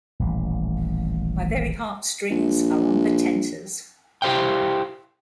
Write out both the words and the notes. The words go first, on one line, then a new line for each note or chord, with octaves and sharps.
My very heart-strings Are on the tenters.
D#1 A1
A#1
E4 G4 C5 F5 G5